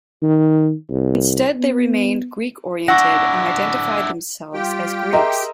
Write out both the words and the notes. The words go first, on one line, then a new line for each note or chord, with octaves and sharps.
Instead they remained Greek-oriented and identified themselves as Greeks.
D#3
C2
B3
D4 E4 F#5 C#6 E6 A#6
G3 F4 G4 G5
G#4 A#4 C5 D#5 E5